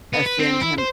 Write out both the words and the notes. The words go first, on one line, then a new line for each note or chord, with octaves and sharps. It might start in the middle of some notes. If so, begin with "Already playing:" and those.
offend him,
B3
B4
C4
E4
C5